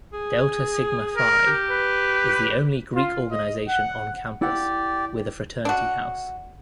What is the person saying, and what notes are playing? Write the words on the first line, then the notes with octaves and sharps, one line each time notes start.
Delta Sigma Phi is the only Greek organization on campus with a fraternity house.
G#4
A#4
G4
B4
F4
D#5
F#5
E4 G4 D5 F#5
D4 F#4